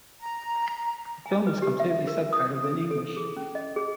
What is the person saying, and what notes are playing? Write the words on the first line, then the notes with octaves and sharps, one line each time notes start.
The film was completely subtitled in English.
A#5
G#5
B4
G4
E5
A#4
D#6
A4
A4
G#4
C#4
D#5
G#4